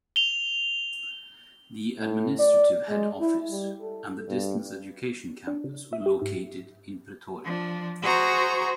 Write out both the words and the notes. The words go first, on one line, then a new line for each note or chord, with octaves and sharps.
The administrative head office and the Distance Education Campus were located in Pretoria.
F7 G7
A2
D5
G#3
E4
G3
A4
G2
D4
C#3
E5
G4
G#2
F3 D4
F#4 G#4 C5 A#5 C#6